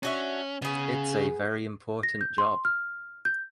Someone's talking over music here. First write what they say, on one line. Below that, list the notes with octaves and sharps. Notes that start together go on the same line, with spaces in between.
It’s a very important job.
C#4 D4 F#4 E5
C#3 B3 G#4
A#6
G6
C6
F6
G6